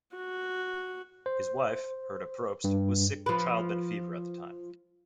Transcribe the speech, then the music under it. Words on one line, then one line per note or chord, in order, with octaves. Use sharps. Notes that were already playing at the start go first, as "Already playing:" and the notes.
His wife, Herta Probst, was sick with childbed fever at the time.
F#4
C5
G2
F3 B4